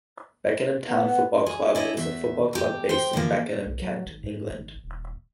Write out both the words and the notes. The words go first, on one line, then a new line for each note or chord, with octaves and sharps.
Beckenham Town Football Club is a football club based in Beckenham, Kent, England.
B3
F#5
G#4
D4 E4 C#5 D#5
E2 E5
E2 G4
C5 G5
D3 E3 F3 A#3
B1
F#3
G#1
G#2
G#1
D#1